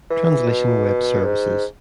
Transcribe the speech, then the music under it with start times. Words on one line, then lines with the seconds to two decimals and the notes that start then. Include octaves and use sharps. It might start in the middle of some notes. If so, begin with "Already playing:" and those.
Translation Web Services.
0.10 E3
0.48 B2
1.24 G#2